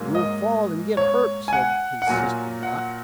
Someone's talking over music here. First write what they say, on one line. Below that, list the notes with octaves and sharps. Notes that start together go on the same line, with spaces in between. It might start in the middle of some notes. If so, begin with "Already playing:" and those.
'You'll fall and get hurt,' said his sister Blot.
Already playing: G#2 F#3 A#3
D#5
C#5
G#5
F#5
F#5
A#2 F#3 A#3 G#5
F#5